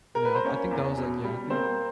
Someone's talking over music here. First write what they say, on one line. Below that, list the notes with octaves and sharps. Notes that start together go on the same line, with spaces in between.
And, yeah, I I think that was, like, yeah I think
A#4
B4
C5
A#3 C#4 C#5
E2
B2
G3
A#3 C4 C5